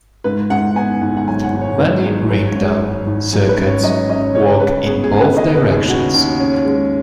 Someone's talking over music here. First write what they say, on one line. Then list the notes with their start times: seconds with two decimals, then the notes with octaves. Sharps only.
Many ringdown circuits work in both directions.
0.24 G#2 B4
0.50 G#2 F#5
0.76 B3 G#5
1.01 G#1 F#5
1.17 F#5
1.28 F#3 G#5
1.44 F#5
1.53 G#1
1.61 C#5
1.78 G#1 B4
2.04 F#3 G#4
2.30 F#3 B4
2.47 C#5
2.55 G#2
2.64 G#4
2.81 G#1
3.06 G#1
3.33 F#3 G#4
3.49 B4
3.58 C#4
3.66 C#5
3.84 F#3 D#5
4.10 C#4 D#5
4.35 C#3 C#5
4.60 C#3 B4
4.86 B3 G#4
5.04 G#4
5.11 C#3
5.20 B4
5.37 C#3 D#5
5.55 B4
5.63 D#2
5.71 G#4
5.88 C#3 F#4
6.14 D#2
6.40 C#4
6.65 G#3